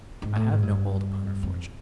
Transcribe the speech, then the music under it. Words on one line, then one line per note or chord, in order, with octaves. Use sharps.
"I have no hold upon her fortune."
G#2
A2
G#2
G2
F2